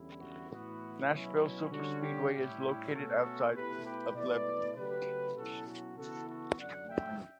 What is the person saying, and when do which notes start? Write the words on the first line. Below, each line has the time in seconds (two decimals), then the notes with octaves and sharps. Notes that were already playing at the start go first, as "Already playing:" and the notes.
Nashville Superspeedway is located outside of Lebanon.
Already playing: E2 D3 G3 C#4 E4
0.19 F#4
0.50 A2 E3 B3 E4 F#4
1.11 B2 F#3 C#4 E4
1.71 D3 G3 C#4 F#4
2.02 G4
2.33 A2 G3 C#4 E4 G4
2.93 B2 A3 C#4 F#4 A4
3.54 B2 A3 E4 G4 B4
3.85 G4 B4
4.15 B2 A3 E4 B4 D5
4.76 C#3 F#3 A3 G4 B4
5.37 B2 F#3 C#4 E4 F#4 A4
5.68 F#4
5.98 C#3 E3 B3 E4 F#4 A4
6.28 F#4 A4
6.59 F#2 D3 F#3 D5 F#5
6.89 E5 G5